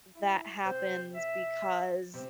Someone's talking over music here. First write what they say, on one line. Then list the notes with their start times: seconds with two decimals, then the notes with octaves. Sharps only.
that happens because
0.14 E4
0.64 C3 C4 C5
1.15 E5
2.14 C3 C4